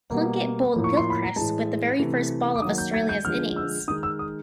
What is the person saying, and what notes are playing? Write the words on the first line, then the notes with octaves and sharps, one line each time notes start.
Plunkett bowled Gilchrist with the very first ball of Australia's innings.
B2 G3 A#3
A2 F3 A#3
C#6
C6
B5
A#5
A2 E3 G#3 A5
C3 E3 A3
D6
D#3 F#3 A#3 D#6
G6
G#6
G6
D3 F3 G#3 F6
E6
D#3 G#3 D#6
E6
D#6